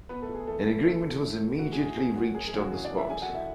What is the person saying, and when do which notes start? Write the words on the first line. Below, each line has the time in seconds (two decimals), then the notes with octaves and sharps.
An agreement was immediately reached on the spot.
0.09 B2 B3 B4
0.22 A3 A4
0.29 B2
0.34 G#4
0.47 E2 A3 A4
0.66 E2
0.85 E3 A3 A4
1.04 E3
1.22 A2
1.41 A2
1.59 E3 F#4
1.72 G#4
1.79 E3
1.84 G#4
1.97 A2 G#4
2.16 A2 F#4
2.35 F#2 G#4
2.48 G#4
2.54 C#3
2.60 F#4
2.72 E3 G#4
2.84 D4 D5
2.91 F#2
2.97 E4 E5
3.10 D3 G#4 G#5
3.22 F#4 F#5
3.29 D3
3.34 E4 E5